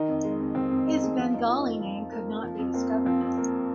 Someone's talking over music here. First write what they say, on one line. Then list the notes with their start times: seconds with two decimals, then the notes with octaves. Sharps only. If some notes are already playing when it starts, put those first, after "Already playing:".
His Bengali name could not be discovered.
Already playing: D#3 D#4
0.08 F2
0.24 G#3
0.40 F2
0.55 D#3 C4
0.71 F2
0.87 G#3 D#4
1.02 F2 G#4
1.18 F3 F4
1.34 F2 C4 D#4
1.49 A#3 F4
1.60 D#4
1.65 F2 C4
1.79 F3 D#4
1.96 F2
2.12 A#3
2.28 F2
2.43 F3
2.59 F2
2.74 A#3 C4
2.90 F2
3.05 F3 C4
3.21 F2
3.37 A#3